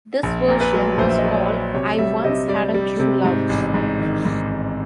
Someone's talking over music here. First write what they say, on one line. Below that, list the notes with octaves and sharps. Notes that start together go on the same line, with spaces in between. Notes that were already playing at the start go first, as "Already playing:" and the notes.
This version was called "I Once Had a True Love".
A#1
A#2 A#4
B4
F#3
A#1 C5
E5
D#5
F#3 D5
C#5
F#3
C3 C#5
G3 E5
C3 D#5
G3 D5
G3
C3
G#2
A1
G#2
D#3
G#2
A1